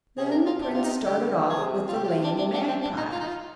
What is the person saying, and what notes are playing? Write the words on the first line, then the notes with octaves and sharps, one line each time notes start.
Then the prince started off with the lame magpie.
C3 G#4
A#4
F4
C3 D4
F4
D#4
D3 G4
C3 G#4
F4
C3 G4
G4
F4
D4
D4
D4
C4
D4
D#4
F4
D#4
F4